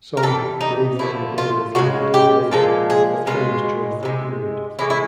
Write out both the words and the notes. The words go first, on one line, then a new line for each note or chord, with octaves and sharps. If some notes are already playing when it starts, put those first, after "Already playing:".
Song "Deva O Deva Ganpati Deva" got famous during that period.
A#4
C3 E3 G3 A4
D#4
D3 F3 A3 E4
F4
C#3 F3 G#3 F#4
G4
A#2 F3 G#3 A4
G#4
B2 G#3 F4
C3 D#3 G#3
A2 E3 G#3 E4
E4